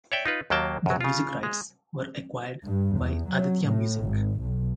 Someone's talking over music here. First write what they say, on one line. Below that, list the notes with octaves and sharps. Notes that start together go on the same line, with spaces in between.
The music rights were acquired by Aditya Music.
C#5 D5 E5 G5
D#4 F4 B4
D#2 F#3 A#3 G5 A5
F#2 F#3
C#3 F4
G#3
G2
E2
F#3
A2
G#1
B1